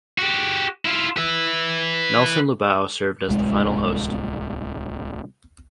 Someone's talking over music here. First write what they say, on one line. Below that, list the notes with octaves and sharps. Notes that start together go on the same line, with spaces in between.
Nelson Lubao served as the final host.
F#4 G4
E4 F4
B4 E5
D1 C2 G#3